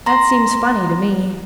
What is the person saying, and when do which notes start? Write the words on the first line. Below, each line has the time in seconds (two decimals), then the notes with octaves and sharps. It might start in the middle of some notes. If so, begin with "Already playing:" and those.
That seems funny to me.
0.06 A#5 C6 A#6